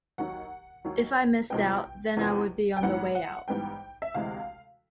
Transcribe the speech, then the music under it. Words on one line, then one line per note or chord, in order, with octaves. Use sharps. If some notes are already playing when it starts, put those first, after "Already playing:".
If I missed out then I would be on the way out.
D#2 D#3 F#3 F#5
D#2 D#3 F#3
E2 C3 F3 G#3 B3 G5
E2 C3 F3 G#3 B3
G5
G#2 E3 G3 B3 F#5
F#5
G#2 E3 G3 B3 G5
E5
D2 C3 E3 G#3 F5